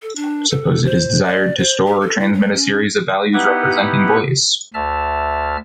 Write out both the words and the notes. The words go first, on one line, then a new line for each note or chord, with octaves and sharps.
Suppose it is desired to store or transmit a series of values representing voice.
A4
D4
A4
C5
D5
C5
G4
A4
E4
F#3
C#4
B3 D#4 E4 G4 B4 F#5
D2 E5 A5 F6